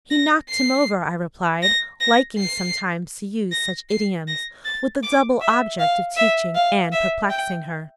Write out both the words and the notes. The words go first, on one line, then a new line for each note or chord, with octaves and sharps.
'He knocked him over,' I replied, liking sometimes to use such idioms, with the double object of teaching and perplexing her.
A#6
C7
A#6
A#6
C7
A#6
C7
A#6
A6
D6
E5
F5
E5
F5
E5
G5